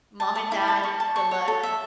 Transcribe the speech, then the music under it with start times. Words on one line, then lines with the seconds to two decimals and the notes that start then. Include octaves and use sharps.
"Mom and dad, good luck,"
0.20 A5
0.35 A5
0.52 E4
0.68 A5
0.83 C#6
1.00 A5
1.16 C#6
1.31 C#5
1.48 A4
1.63 E5